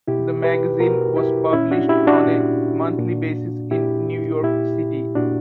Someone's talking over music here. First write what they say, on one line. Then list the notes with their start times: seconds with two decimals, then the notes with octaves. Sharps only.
The magazine was published on a monthly basis in New York City.
0.08 B2 E4 G4
0.44 G4 B4
0.80 B2 F#4 A#4
1.16 E4 G4
1.53 A#2 C#4 E4
1.71 D4 F#4
1.89 E4 G4
2.07 D4 F#4
2.26 A#2
2.99 A#2
3.71 A#2 E4 G4
4.43 A#2 E4 G4
5.15 A#2 D4 F#4